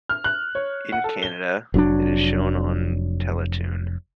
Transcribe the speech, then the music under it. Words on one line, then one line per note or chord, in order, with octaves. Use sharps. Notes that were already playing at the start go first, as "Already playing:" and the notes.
In Canada, it is shown on Teletoon.
F6
F#6
C#5
F#5
A4
G7
F1 F#3 C#4 D4